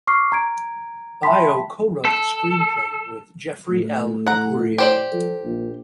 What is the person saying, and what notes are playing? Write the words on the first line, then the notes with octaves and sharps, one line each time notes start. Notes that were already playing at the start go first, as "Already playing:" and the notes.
Baio co-wrote the screenplay with Jeffrey L. Gurian.
C#6 D6 F6 C7
A#5 G#6 D7
E5 G5 A5 B5 C6 B6
A4
A2 A3
F#5 A#5
G4 C5 D5
F3 F4 A4
A#1